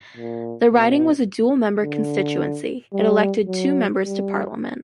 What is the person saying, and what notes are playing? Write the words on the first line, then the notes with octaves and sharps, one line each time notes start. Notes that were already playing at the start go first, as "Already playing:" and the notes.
The riding was a dual-member constituency-it elected two members to Parliament.
A#2
B2
D3
G3
F#3
G3